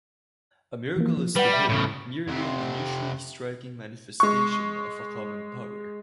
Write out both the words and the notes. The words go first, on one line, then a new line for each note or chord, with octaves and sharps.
A miracle is to him merely an unusually striking manifestation of a common power.
E3 F3 A#3
F3
G3 B4 F#5
E5
A2 C#3
F2 C3
G#3 C#6